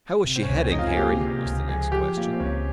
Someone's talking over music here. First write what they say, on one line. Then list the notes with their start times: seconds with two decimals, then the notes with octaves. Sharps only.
"How is she heading, Harry?" was the next question.
0.24 C3
0.36 C4
0.43 C#4
0.49 C#2
0.60 C4
0.71 C#2 D#4
0.79 F4
0.87 G#4
0.96 A#3 G4
1.21 C3
1.45 C#2
1.68 F3 G#4
1.92 F3 G4
2.17 A#3 F4
2.33 C4
2.40 C#2 C#4